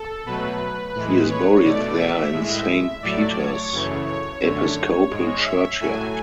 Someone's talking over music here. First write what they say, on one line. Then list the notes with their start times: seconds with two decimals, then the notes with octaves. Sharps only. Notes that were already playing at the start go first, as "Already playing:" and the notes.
She is buried there in Saint Peter's Episcopal Church yard.
Already playing: A4
0.26 B2 F#3 A3 B4
0.95 A2 E3 G#3
1.30 C#5
1.65 B2 A3 D5
1.99 E5
2.33 A2 G#3
3.03 A2 F#3 A3 D5
3.38 C#5
3.72 F#2 C#3 E3 A3
4.07 C#5
4.41 F#2 D3 A3
5.11 G#2 G#3
5.45 E5
5.80 A2 F#3 A3 G#5